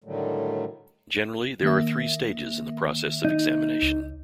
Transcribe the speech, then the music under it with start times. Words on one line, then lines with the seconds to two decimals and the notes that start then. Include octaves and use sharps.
Generally, there are three stages in the process of examination.
0.04 A2 D3 D#3 F#3 G3 A3
1.62 D#3 A#3 E5
3.25 D#4
3.82 C#2